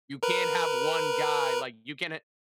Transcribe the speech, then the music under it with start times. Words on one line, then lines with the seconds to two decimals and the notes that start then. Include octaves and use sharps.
You can't have one guy, like, you can ha
0.23 A#4 B4